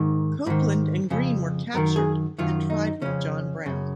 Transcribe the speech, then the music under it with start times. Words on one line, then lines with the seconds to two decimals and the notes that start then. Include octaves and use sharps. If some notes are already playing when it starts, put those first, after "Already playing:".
Copeland and Green were captured and tried with John Brown.
Already playing: G#2 D#3
0.46 G#2 D#3
1.10 F2 C#3
1.74 F#2 D#3 A#4
1.96 G#4
2.38 F#2 D#3 F4
2.70 D#4
3.02 F2 C#3 C#4
3.66 F#2 C#3